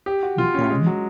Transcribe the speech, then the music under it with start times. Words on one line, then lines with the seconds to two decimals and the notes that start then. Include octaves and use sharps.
No problem.
0.06 G4
0.23 F#4
0.38 F4
0.54 C#4
0.70 G#3
0.86 F#3